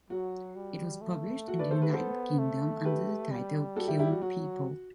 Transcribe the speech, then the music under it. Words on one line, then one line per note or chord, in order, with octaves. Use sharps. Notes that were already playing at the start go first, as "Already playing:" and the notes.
It was published in the United Kingdom under the title "Kil'n People".
F#3 F#4
G3
A3
F#4
B4 D5
A4 C5
G4 B4
B3 A4 C5
A3
G4 B4
G3
F#4 A4
E4 G4
E4 G4
F#4
F#3 F#4